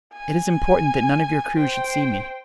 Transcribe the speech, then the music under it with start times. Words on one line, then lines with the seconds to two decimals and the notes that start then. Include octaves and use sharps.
"It is important that none of your crew should see me."
0.14 G#5
1.55 C5 G5